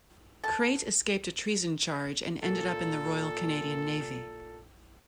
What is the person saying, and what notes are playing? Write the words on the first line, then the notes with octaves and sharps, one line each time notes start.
Crate escaped a treason charge and ended up in the Royal Canadian Navy.
A4 A5
A#2 A4